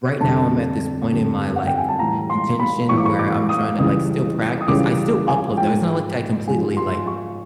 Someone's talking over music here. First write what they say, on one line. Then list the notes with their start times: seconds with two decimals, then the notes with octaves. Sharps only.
Right now I'm at this point in my, like, intention where I'm trying to, like, still practice, I still upload though, it's not, like, I completely, like,
0.21 F2 D3 G3 A5
1.10 F2 D3 G3
1.56 F#5
1.67 G5
1.78 G#5
1.89 A5
1.99 A2 E3 G3 A#5
2.30 C6
2.60 B5
2.89 A2 E3 G3 C#6
2.97 D6
3.05 C#6
3.19 D6
3.49 D#6
3.79 C#2 C#3 E3 G3 D#6
4.61 D#6
4.68 C#2 C#3 E3 G3 D6
5.28 G#5
5.57 G#2 F3 G5
6.47 G#2 F3 G#5
6.77 C6
7.07 C#6